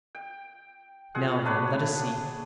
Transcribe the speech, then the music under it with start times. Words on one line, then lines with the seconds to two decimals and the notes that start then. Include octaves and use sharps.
Now, then, let us see.
0.15 G5
1.15 F4 G#4 F#5
1.44 F#3 D4 B4 C#5